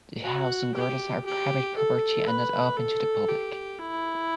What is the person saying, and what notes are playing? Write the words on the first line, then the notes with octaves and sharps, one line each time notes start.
The house and gardens are private property and not open to the public.
F#4
G4
G4
A4
B4
A4
G4
E4